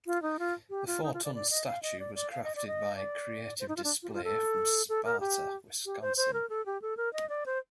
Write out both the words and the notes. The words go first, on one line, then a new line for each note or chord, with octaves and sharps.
The four-ton statue was crafted by Creative Display from Sparta, Wisconsin.
F4
D#4
F4
G4
F4
D#4
F4
D5
D5
D#5
F5
D#5
D5
D5
F5
D#5
D5
D#5
D5
C5
D#4
F4
D4
F4
G4
F4
A4
A4
A#4
G4
G4
C5
C5
A#4
A4
G4
A4
A#4
D#5
D5
C5